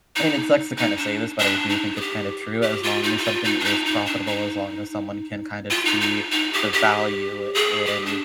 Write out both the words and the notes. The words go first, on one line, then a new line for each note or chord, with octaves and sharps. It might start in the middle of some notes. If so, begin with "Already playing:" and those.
I mean, it sucks to kinda say this, but I do think it's kinda true. As long as something is profitable, as long as someone can kind of see the value in
D#4
D#4
D4
D4
D#4
G#4
G4
G4
F4
D#4
D#4
F4
D#4
D4
D#4
D#4
D4
D#4
F4
D#4
D#4
D#4
G4
G4
G#4
G4
D4